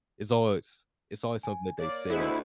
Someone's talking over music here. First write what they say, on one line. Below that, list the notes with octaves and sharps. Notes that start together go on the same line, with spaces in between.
it's always it's always something that they say,
G#5
A#3 C#5 D5
D2 B3 E4 G#4 C5 D#5